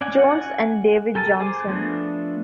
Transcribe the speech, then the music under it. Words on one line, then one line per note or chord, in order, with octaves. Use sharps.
Jones and David Johnson.
C#4 D5 F#5 G#5
C#4 F#4 F#5
F#5 G#5
G4 A4 A#4 G#5 A5
G#4 C5 G#5 D6
F3 A3 B3 D4